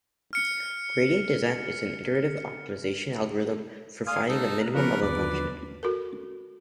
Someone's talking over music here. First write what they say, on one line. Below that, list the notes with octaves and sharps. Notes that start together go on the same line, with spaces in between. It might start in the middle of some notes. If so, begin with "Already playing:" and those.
Gradient descent is a iterative optimization algorithm for finding the minimum of a function.
F6 C#7
D5 F5 G#5 C6 D#6
G3 A3 D#4 A4
A#5 F6 F#6
F3 B3 A#4 B4 D5 F5 C#6
D#2 D3 F#3 D5
F#4 A4 A#4